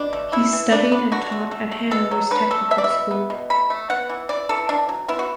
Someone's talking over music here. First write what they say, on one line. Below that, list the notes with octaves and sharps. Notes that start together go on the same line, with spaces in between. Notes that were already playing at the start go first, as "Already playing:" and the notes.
He studied and taught at Hanover's technical school.
Already playing: B2 D4
A3
A3 E4
E3
B3 D4
B3
D3 F#4
A3
A3
A3
B2 A4
F#3
D3 B4
A3 A4
B3 E5
D5
E5
B2
B3
B2
A3 B5
A3
B3 F#5
E3
E3 D5
E3 A4
D3 D4
F#3
B3 E4
F#4